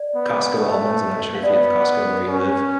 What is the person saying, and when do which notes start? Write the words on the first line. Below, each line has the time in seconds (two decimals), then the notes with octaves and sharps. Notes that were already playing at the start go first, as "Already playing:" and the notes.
Costco almonds, I'm not sure if you have Costco where you live,
Already playing: D5
0.16 B3
0.58 A3
1.35 F5
1.43 B3 D5
2.28 C#4